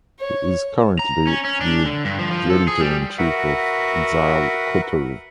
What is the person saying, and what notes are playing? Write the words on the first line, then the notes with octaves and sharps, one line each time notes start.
He is currently the editor-in-chief of "Exile" Quarterly.
C#5
A#5
C#4
C#4
D4
D3
G2
F3
F3
A4
G#4
G3
F#4 A#4 B4 E5 F#5